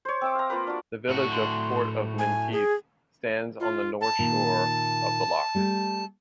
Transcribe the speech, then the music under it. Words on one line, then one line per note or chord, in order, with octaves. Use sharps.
The village of Port of Menteith stands on the north shore of the loch.
C5 C#5
C4 E5 D6
F5 A#5
A#3 F4 A#4 B4
D4 F#4
A2 F#4
C6
G#5
G#4
F4
A5
A#2 D#3
G3 A3 G4